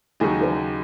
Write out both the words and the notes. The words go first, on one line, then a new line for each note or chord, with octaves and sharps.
Take care.
D#2 C#3 F#3 D#4